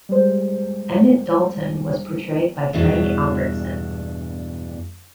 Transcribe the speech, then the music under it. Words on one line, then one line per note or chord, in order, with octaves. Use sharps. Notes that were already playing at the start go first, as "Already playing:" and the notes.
Emmett Dalton was portrayed by Frank Albertson.
G3 G#3 C5
E2 G2 B2 D4